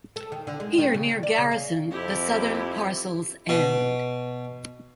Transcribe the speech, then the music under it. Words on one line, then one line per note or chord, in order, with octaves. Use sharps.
Here, near Garrison, the southern parcels end.
A4
D#3
D3
G#3
D#3
C#3
D#3
D5
C#3
F5
F2 E4 G4
B2